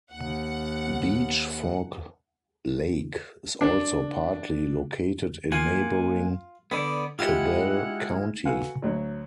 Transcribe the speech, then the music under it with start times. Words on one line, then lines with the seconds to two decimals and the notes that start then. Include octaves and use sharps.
Beech Fork Lake is also partly located in neighboring Cabell County.
0.12 D#2 F#5
3.61 D4
5.52 A#3 F4 F#5 G#5
6.71 D3 B3 D5
7.19 G#3 E4 F4 G4 F#5
8.45 F#4 A4 B4 F5 F#5 G#5
8.82 D2 F#3